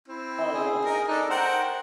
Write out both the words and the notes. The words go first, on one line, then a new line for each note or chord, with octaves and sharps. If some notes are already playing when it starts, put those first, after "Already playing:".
Oh nice, yeah.
C4 E4
G#4
D#4 A#4
D4 D#4 A4
A#4 C5 F#5 G5